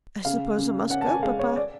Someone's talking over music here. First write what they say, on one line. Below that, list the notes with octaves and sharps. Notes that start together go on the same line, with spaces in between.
"I suppose I must go, papa?"
C#3 F5
C#3
C#4 F#5
A5
G#5
G#3 F5
C#5
D5